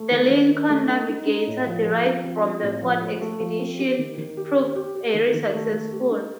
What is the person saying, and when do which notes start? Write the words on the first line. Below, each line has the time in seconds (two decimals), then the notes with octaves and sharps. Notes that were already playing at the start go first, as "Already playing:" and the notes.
The Lincoln Navigator, derived from the Ford Expedition, proved very successful.
Already playing: A3
0.11 D#3
0.30 D#3
0.50 D#4
0.70 A3
0.88 D#4
1.09 D#4
1.27 D#4
1.47 A2
1.66 F3
1.85 F3
2.05 C4
2.24 F3
2.44 C4
2.63 A2
2.82 F3
3.01 A3
3.21 A3
3.40 F3
3.59 C4
3.79 G4
3.99 D#3
4.18 D#3
4.37 G4
4.56 G4
4.75 G4
4.95 G4
5.14 D#3
5.34 D#3
5.54 A3
5.72 A3
5.92 G4
6.11 D#4